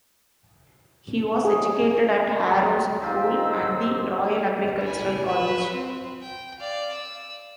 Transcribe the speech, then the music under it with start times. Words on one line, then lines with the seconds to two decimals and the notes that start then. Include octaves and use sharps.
He was educated at Harrow School and the Royal Agricultural College.
1.45 G#4
3.02 D#2 D#4 F4 G4 C5 E6
4.83 E4 G#5
5.26 B4 E5
5.73 C4
6.22 G5
6.59 D5 F5
6.93 E6